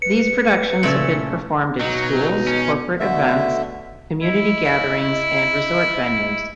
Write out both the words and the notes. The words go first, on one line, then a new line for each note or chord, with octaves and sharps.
These productions have been performed at schools, corporate events, community gatherings, and resort venues.
B4 C#7
A#2 C#3 A3
B2 F#3 D#4
C#4
B2 D3 A3 E5
E4 D#5